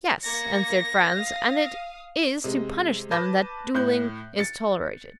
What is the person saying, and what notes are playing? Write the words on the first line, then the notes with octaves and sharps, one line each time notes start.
"Yes," answered Franz; "and it is to punish them that duelling is tolerated."
A#3 G#6 A#6 C#7
F5 D#6
C3 G#3
B4 A5 D6 G6 A#6
A2 F#6 G6
A6 C#7